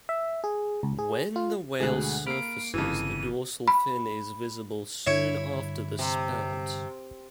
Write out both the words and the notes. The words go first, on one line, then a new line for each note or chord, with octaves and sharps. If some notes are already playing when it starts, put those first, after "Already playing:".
When the whale surfaces, the dorsal fin is visible soon after the spout.
E5
G#4
C#2
G#4
F4
D2 B2 D3 G#3 G#4 F#6
A#3 B5 F6 C7 D7
G1 F2 C#3 E3 D#7
B5
G2 D3 E4 C#5
C3